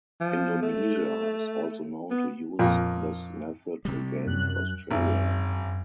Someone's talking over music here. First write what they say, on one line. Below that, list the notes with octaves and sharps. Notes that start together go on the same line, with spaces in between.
Indonesia is also known to use this method against Australia.
F3
A3
B3
F2 A#2
C3 G3
F#2 F#6
G#1 F#2